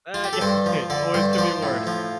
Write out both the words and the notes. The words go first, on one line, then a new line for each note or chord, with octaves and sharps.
Uh, yeah. Hey, it always could be worse.
F4
G4
A4
G2 C5
F3
D3 D5
G2 C5
D5
F3 C5
A2
F3